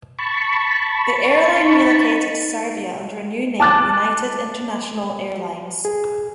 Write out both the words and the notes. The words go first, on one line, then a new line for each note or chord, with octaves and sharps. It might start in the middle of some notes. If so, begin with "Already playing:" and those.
The airline relocated to Serbia under a new name, United International Airlines.
A5 B5 C#6
D#4
A5 D6 F#6 A6
G#4